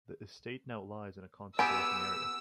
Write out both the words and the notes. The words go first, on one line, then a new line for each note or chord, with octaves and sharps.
The estate now lies in a conservation area.
B3 G4 G#4 G#5 E6